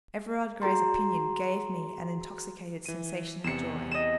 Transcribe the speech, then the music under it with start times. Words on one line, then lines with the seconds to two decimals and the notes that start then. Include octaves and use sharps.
Everard Grey's opinion gave me an intoxicated sensation of joy.
0.62 F#4 G#4 A#5 C6
2.86 E3 D#7
3.44 E2 C3 C#7 E7
3.91 D#5 E7